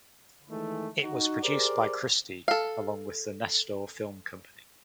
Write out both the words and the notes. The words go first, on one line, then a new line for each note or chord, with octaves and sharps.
It was produced by Christie along with the Nestor Film Company.
D#3 E3 G#3 A3
D#4 F#4
G4 G#4 A#4 C5 D5
A4 F5